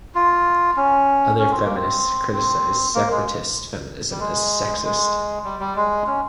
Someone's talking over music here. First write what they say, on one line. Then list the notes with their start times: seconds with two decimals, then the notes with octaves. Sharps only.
Other feminists criticize separatist feminism as sexist.
0.15 F4
0.77 C#4
1.39 C#4
1.51 C4
1.64 A#3
1.75 C4
2.32 C4
2.95 A#3
3.10 G#3
4.11 G3
4.20 G#3
4.83 G#3
5.45 G3
5.60 G3
5.76 G#3
6.07 C#4